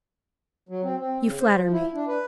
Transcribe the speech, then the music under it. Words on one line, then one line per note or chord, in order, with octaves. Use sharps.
"You flatter me!"
F#3
C4
C4
C#3
C5
F3
E4
D4
B4